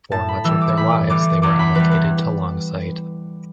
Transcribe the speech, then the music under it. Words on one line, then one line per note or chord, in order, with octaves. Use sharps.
For much of their lives they were allocated to Longsight.
A2 A5
B5
E3 G3 E6
D6
A2 B5
E3 G3 D6
E2 D6
B5
E3 G3 B4
B4